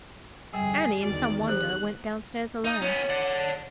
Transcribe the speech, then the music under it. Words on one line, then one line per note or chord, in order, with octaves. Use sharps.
Annie, in some wonder, went downstairs alone.
G1 F2 G3 G#4 G5
E2 D#3 F#4 D5
E3 G4 C5 F#6
D#4
B3 C#4 C#5
D5 F#5